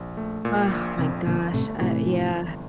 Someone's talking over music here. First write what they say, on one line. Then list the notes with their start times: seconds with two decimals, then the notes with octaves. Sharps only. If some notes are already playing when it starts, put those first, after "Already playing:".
Ugh, my gosh, uh, yeah.
Already playing: A#1
0.17 A3
0.45 A#2
0.71 A#1
0.99 F2 C3 E3
1.27 G1 A#2 D3
1.54 A2 C3 A3
1.81 A2 C3 E3
2.08 F2
2.35 G1